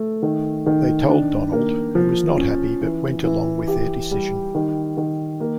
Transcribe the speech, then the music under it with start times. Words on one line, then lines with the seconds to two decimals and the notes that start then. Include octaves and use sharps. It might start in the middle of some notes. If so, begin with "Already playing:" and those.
They told Donald, who was not happy, but went along with their decision.
Already playing: A3
0.23 D#3
0.66 D#3
1.09 D4
1.52 A#3
1.95 F3
2.38 C#4
2.81 E3
3.24 E3
3.68 G4
4.11 G3
4.55 D#3
4.97 D#3
5.40 A#3